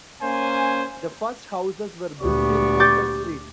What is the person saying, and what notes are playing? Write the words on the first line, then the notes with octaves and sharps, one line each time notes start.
The first houses were built in Potter Street.
A#3 C#4 C5 G#5
D2 A#2 B3 G4 D5 C#6
D6 G6 A6